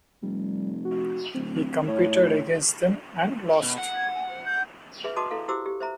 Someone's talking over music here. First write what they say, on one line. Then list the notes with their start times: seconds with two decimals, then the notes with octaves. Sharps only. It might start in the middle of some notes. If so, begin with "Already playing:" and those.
He competed against them and lost.
0.22 F1 G3
0.85 F#4
1.34 D1 C4
1.88 A2 C#5
3.63 B2
3.78 F#5
3.94 G#6
4.14 G#5
4.29 C5
4.45 G6
5.04 G#4 B4 E5
5.16 F#4 B4 D#5 A5 D6 D#6
5.31 E4 A4 F5
5.48 E4 F#4 G4 C5 D6 E6
5.66 G4
5.80 C5 E5 A#5